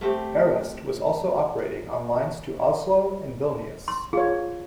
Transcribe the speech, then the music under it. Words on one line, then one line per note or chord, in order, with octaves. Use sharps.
Airest was also operating on lines to Oslo and Vilnius.
A3 C4 G4
C6
F4 G#4 C#5